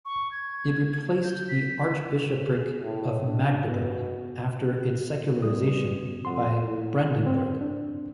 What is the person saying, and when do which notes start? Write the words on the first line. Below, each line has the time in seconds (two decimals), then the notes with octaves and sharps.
It replaced the Archbishopric of Magdeburg after its secularization by Brandenburg.
0.05 C#6
0.31 G#6
1.24 G6
1.48 B6
2.46 G#4
2.82 A2
3.25 D4
3.64 B2
5.42 B2 G3 A3 D#6
6.25 F2 F#5 C6
6.63 A2
7.26 C4
7.61 D4